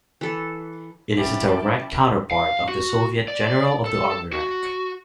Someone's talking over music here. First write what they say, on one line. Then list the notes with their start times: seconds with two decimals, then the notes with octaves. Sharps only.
It is a direct counterpart of the Soviet "General of the army" rank.
0.21 E3 A4
1.16 F#3 C#4 E4 D5 G5 A5
2.31 F5
2.69 F#4
3.28 D5
3.85 A4
4.33 F#4